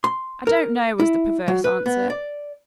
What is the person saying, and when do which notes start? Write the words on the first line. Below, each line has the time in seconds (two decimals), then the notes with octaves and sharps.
"I don't know," was the perverse answer.
0.04 C6
0.47 A#4
1.00 E4
1.48 F#3
1.64 B4
1.86 B3
2.10 D5